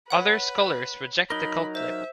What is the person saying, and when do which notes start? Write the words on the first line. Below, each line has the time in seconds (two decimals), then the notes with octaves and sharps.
Other scholars reject the cult label.
0.10 B4 C#5 F#5
1.30 F#3 D#4 A#4 B5 G7
1.75 C5 E5